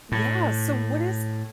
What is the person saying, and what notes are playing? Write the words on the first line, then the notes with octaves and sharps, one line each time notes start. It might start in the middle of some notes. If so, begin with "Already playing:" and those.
yeah, so what is
A2